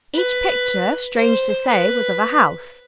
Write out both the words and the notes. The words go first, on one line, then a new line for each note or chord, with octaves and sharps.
Each picture, strange to say, was of a house.
B4
C5
B4